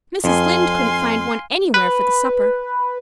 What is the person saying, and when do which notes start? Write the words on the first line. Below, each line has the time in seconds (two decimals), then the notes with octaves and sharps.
Mrs. Lynde couldn't find one anywhere for the supper.
0.24 F2 F5 G#5 C6
1.74 B4